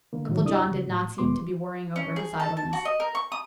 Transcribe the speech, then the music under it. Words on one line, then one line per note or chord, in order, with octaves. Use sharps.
Uncle John did not seem to be worrying over his idleness.
D3 A#3
A2 D#3 E3 F#3
F#2 C3 D4 E4 D#6
C#3
A2
D#2 B2 G#3 B3 C6 D6
C#4
G#4
A4
A5
F#4
D#5
A#4
C#6
D#6